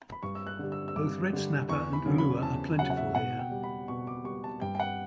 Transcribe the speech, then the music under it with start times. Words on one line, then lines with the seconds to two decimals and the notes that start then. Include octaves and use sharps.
Both red snapper and ulua are plentiful here.
0.12 B5
0.23 G2 C#6
0.35 E6
0.47 F#6
0.59 D3 G3
0.72 E6
0.88 E6
0.96 G2 D6
1.33 D3 G3
1.69 E2 C#6
1.93 B5
2.06 C#3 F#3
2.18 B5
2.42 E2 A5
2.78 C#3 F#5
2.82 F#3
2.90 F#5
2.97 E5
3.15 B2 F#5
3.39 G5
3.51 G3
3.63 B5
3.88 B2 C#6
4.07 D6
4.24 G3 C#6
4.44 A5
4.61 G2 G5
4.75 G5
4.80 F#5